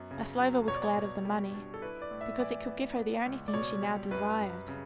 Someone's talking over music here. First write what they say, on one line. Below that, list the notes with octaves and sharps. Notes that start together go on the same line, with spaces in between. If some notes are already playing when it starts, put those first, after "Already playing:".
Maslova was glad of the money, because it could give her the only thing she now desired.
Already playing: F#2 B3
C#3
F#3
B2 C#5
D5
C#5
B2
G3
D4
A4
E4 B4
D5
A2
E5
E3 D5
B3
B3
C#2
D5
B2 C#5
G3
F#2 B4
F#2
C#3